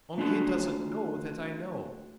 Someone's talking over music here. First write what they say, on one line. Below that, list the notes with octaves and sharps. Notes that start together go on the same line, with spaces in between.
Only he doesn't know that I know.
A3 D4 F4 F#4